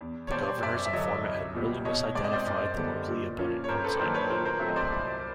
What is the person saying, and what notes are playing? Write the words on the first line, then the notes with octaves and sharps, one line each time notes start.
The Governor's informant had merely misidentified the locally abundant quartzite.
E2
C#5
B2 G3 C5 D5
F#2 D5 E5
E5
D3 F#3 C#5 D#5
C2
A#2 G3 B3
B2 C#5 D#5
G#3 C4 D5
D#5
C5 D5
F#2
D3 G3 B3 D#4
A#2
F3 A#3 C#4 F4
C#5
G2 A#4 C5
A4 B4
D#3 F#3 A#3 D4 A#4 C5
B4 C#5
A#2 A#4 C5
A#4 C5
F#3 A3 C4 E5
D#5
C5 D5
C2